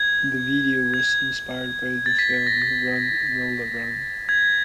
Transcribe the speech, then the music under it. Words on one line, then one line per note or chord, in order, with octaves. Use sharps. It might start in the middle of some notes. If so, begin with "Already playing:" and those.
The video was inspired by the film, "Run Lola Run".
Already playing: G#6
G#6
A6
B6
A#6
A6
G#6